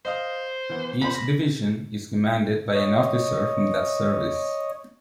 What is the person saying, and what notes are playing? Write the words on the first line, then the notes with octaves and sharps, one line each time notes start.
Each division is commanded by an officer from that service.
C5 D#5 F5 D#6
E3 B3
E2 F3 C5 B5
A#6
C#5 D#5